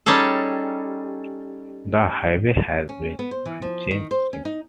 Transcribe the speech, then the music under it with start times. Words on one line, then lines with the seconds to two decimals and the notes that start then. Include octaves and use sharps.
The highway has been unchanged since.
0.06 G3 C#4 D#4 G#4 A4
2.89 C#4
3.19 B3
3.31 C5
3.46 E3
3.62 F3
3.91 D#3
4.11 C5
4.33 C#4
4.45 D#4